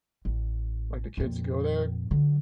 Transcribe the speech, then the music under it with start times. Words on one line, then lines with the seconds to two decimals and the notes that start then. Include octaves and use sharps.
like, the kids to go there,
0.25 A1
1.17 F2 A#2
2.11 D3 F#3